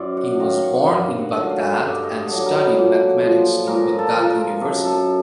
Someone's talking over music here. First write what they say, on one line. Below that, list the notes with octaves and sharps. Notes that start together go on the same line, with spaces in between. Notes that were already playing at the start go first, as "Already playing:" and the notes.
He was born in Baghdad and studied mathematics in Baghdad University.
Already playing: F#2 C5 D5
F#5
D#3 F#3 F5
F#5
F#5
G2 F5
F#5
D3 F#3
F5
G2
D#5
D3 F#3
A#4 B4
A#2
F3
A#2 A#4
A4
A#4
F3 A4
A#4
F#2 A4
A4